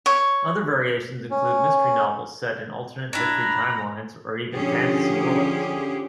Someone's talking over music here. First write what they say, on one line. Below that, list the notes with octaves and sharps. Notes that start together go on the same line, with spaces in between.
Other variations include mystery novels set in alternate history timelines or even fantasy worlds.
C#5
C#4
D4 E4 A#5 B5
D3 F3 C#4 G4 G#4